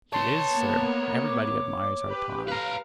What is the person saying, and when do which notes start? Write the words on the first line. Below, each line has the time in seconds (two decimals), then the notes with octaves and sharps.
"He is, sir; everybody admires our Tom."
0.13 C#5 A5 C6
0.52 A#3 B3
1.24 D6
2.07 G4 B4
2.48 B4 F5 A#5